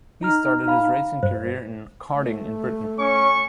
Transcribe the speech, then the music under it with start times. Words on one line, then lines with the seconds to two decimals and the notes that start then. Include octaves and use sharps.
He started his racing career in karting in Britain.
0.21 D#4 A#5 F6
0.68 F5 B5
1.23 G2 C5
2.14 A3
2.99 C#4 C#6